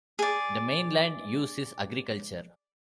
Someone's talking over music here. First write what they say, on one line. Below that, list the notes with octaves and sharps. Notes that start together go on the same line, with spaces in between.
The main land use is agriculture.
G#4 D5